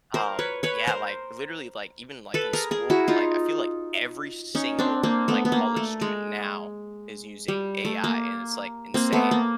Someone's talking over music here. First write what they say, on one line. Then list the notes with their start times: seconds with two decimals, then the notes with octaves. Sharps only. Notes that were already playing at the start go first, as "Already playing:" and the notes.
um, yeah, like, literally, like, even, like, in school, like, I feel, like every single, like, college student now is using AI and it's, like, insane,
0.14 A#4 C5
0.39 B4 C#5
0.63 B4 C#5
0.87 A#4 C5
2.34 A4 B4
2.53 G#4 A#4
2.71 G#4 A#4
2.90 E4 F#4
3.08 D#4 F4
4.55 C#4 D#4
4.79 C4 D4
5.03 A#3 C4
5.28 A3 B3
5.45 B3
5.52 A#3
5.77 A3
6.01 G#3
7.48 G3
7.85 A3
8.04 A#3
8.94 A#3 C4
9.13 A3 B3
9.31 A#3